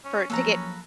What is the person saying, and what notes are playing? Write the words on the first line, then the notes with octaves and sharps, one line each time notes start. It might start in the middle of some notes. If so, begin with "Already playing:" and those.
for to get
C#4
F3 F#3 A#3 C#4 A4 B4 A#5